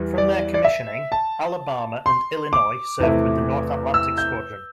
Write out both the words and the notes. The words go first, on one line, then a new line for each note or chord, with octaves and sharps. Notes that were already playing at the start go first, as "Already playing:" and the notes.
From their commissioning, "Alabama" and "Illinois" served with the North Atlantic Squadron.
Already playing: E2 E3 G3
D5
D5
E5
A5
C6
D6
E2 C3 A3 E4
E6
G6